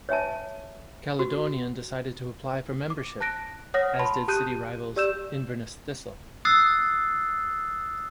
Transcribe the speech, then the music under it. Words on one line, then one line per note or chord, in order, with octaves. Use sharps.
Caledonian decided to apply for membership, as did city rivals Inverness Thistle.
C#5 E5 G#5 A5
F#4
D6
A5 F#6 A#6 D7
C#5 F#5 D#6 F6 A#6
A5 B5 C6
G4 A5 D#6 F#6 G6 D#7
G4 D5 E6 G6 E7
D#6 E6 F#6 A6 C7